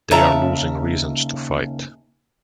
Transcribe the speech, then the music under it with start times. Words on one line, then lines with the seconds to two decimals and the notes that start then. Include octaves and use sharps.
They are losing reasons to fight.
0.11 D#2 C#3 E5 A5 A#5